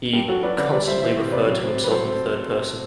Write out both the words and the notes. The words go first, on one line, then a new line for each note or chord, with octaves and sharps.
He constantly referred to himself in the third person.
G2 G4
F#3 F#4 A4
F#3 B4 D5
D3 B4 D5
G3 B4 D5
G3 C5 E5
E3 C5 E5
C3
C3 B4 D5
F#3
C4
C3
B4
F#3 A4 C5
C4